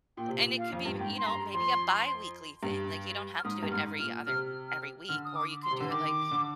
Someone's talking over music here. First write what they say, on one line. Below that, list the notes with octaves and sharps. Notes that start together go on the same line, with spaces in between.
and it could be, you know, maybe a biweekly thing, like, you don't have to do it every other every week, or you could do it, like
A#2 G5
C3
A#2
F5
F2
G2
G#2 G5
C6
G2 A#5
F2 C6
G2
F6
G#2 D#6
G2
G#2 F6
A#2 F6
C3 F6
F6
D3 F6
D#6
D6
C6
C3
D3
D#3 D6
D3